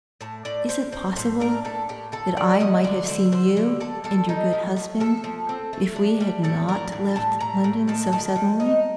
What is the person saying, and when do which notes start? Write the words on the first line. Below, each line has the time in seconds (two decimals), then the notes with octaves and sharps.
Is it possible that I might have seen you and your good husband if we had not left London so suddenly?
0.21 A2 A5
0.45 A2 D5
0.69 A2 C5
0.92 A2 C5
1.16 A2 C5
1.40 D4 A#4
1.65 A2 A4
1.89 A2 G4
2.12 D3 A4
2.37 G3 D5
2.60 D3 D#5
2.84 D3 D5
3.08 D3 C5
3.32 D3 C5
3.57 D3
3.80 D3 A4
4.04 F3 A4
4.29 D#4
4.53 F3
4.76 A3
5.00 F3 A4
5.24 F3
5.49 C4
5.73 A3
5.96 D4
6.20 G3
6.44 A2 A4
6.68 D4 A#4
6.92 A2
7.16 A2 A5
7.40 A2 A#5
7.64 A2
7.88 D#3 A5
8.12 D#3 A5
8.36 D#3
8.60 D#4